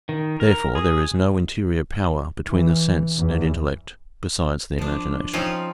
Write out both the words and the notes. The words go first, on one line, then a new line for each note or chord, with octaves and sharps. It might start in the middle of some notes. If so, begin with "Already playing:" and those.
Therefore there is no interior power between the sense and intellect, besides the imagination.
D#3
A#4
G#4
E3
E2
F3 D4
F3 C4 C#4 D#4 F4